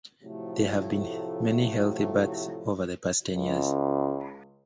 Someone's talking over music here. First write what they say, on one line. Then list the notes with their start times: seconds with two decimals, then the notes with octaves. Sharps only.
There have been many healthy births over the past ten years.
0.23 A2 C3 F3 F#3 A3
3.31 C#2